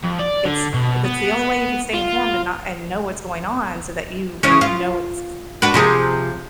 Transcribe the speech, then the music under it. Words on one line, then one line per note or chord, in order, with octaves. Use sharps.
it's uh, that's the only way you can stay informed and not and know what's going on so that you know what's
F2
D5
D3
B2
B3
F4
C#3 E3 C#4
F4
D4 F#4 B4
C3 F3 G#4